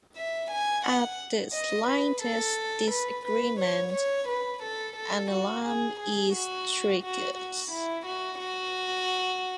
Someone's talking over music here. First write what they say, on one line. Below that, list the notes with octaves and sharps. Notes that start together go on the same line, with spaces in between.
At the slightest disagreement, an alarm is triggered.
E5
G#5
F#5
D#5
B4
A4
B4
B4
C#5
C#5
B4
A4
A4
F#4
G#4
G#4
F#4
F#4
F#4
E4
F#4
F#4